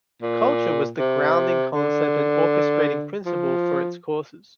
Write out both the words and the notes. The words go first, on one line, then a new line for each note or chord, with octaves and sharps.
Culture was the grounding concept and orchestrating principle for its courses.
A#2
C3
D3
F3